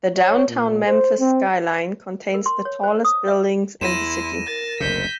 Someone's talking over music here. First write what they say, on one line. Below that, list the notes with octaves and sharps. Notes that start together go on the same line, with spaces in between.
The Downtown Memphis skyline contains the tallest buildings in the city.
C#5
A#2
C5
C4
A#4
C6
C#5
C5
D#6
E5
E2 E4 C6 A#6 D#7 E7
A#4 A6
F#1 D2 C3 G6 B6